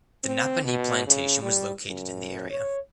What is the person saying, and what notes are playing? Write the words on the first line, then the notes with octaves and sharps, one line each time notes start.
The Napanee Plantation was located in the area.
C4
B2
C#3
G3
F#2
C#5